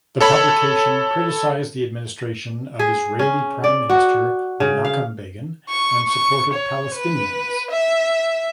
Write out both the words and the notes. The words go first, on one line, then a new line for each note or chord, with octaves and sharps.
The publication criticized the administration of Israeli Prime Minister Menachem Begin and supported Palestinians.
A4 C#5 B5
G#4
C#4
D5
F#4
C#3
F5
C#6
C#6
C#5
B4
E5